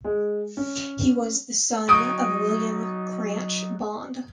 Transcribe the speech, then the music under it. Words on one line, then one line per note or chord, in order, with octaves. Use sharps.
He was the son of William Cranch Bond.
G#3
C#4
F#3 D#4 C#6 D#6 D7